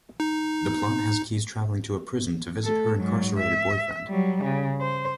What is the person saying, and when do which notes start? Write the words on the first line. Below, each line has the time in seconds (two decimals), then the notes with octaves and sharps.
The plot has Keys traveling to a prison to visit her incarcerated boyfriend.
0.20 D#4
2.64 A3 A4
2.98 G#2 F#3
3.39 E5
4.08 F#3 G3
4.43 C#3
4.81 C5